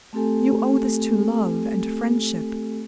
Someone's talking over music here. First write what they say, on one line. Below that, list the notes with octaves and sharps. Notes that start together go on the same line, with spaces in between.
You owe this to love and friendship.
A3 C4 G4 A4 G#5